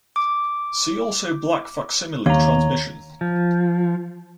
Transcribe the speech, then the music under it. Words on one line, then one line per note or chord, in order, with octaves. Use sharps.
See also Black facsimile transmission.
D6
D#2 C#5 A#5
F3